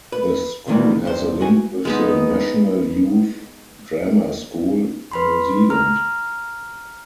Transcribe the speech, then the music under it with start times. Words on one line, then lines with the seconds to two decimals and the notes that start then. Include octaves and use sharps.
The school has a link with the National Youth Drama School, New Zealand.
0.12 B4
0.68 C3 D#3 E3 G3
1.03 C2 G2 C5
1.41 F#4 G#5
1.85 G#3 B3 D#4
5.11 B4 B5 C6
5.70 A#5 F6